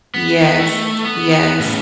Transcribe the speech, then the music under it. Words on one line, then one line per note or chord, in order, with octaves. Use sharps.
Yes, yes.
B3
A3
B3
A2 C#3